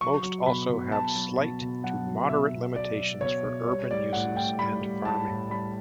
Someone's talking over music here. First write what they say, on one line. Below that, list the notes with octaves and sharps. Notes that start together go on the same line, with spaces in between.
Most also have slight to moderate limitations for urban uses and farming.
F#3 C#6
F#3
B2 B5
B2
F#3 A5
F#3
B2
B2
F#3 F#5
F#3
B2 E5
B2
F#3 D5
F#3
B2 C#5
B2
G3 C#5
G3 D5
A2 F#5
A2 G5
G3 B5
G3
A2 A5
A2
G3 B5